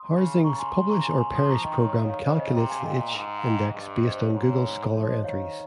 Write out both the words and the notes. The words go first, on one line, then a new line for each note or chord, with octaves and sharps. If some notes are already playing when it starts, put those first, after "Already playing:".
Harzing's "Publish or Perish" program calculates the "h"-index based on Google Scholar entries.
Already playing: C6 D#6
C#3
C#3 A#5 C#6
G#5 C6
C#3 G#5 C6
A#5 C#6
G#5 C6
G#5 C6
F3 C6 D#6
A#5 C#6
D#3 D#5 G5
C#5
C#5 F5
C#5 F5
C#3 C5 D#5
C5 D#5
C3 G5 A#5
F5 G#5
F5
A#2 D#5 G5
G#2
F5
D#5 G5
G2
C5 D#5
C5
C#5
G#2
C#5
F3 C#5
C5 D#5
D#3 C#5 F5